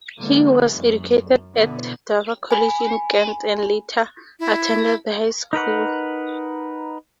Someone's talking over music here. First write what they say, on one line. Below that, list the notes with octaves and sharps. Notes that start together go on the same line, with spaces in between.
He was educated at Dover College in Kent and later attended The High School.
D3 E3 G#3 A#3
F#2
B2 D3 E3 B3
G#5 B5
E4
D#4 A#4 B4 F#5